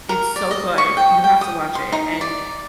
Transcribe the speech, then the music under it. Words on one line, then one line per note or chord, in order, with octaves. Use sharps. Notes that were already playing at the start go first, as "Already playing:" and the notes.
It's so good, you have to watch it and
A#4
D5
D#5
C#6
G5
G5
D#6
C6
D#4
D5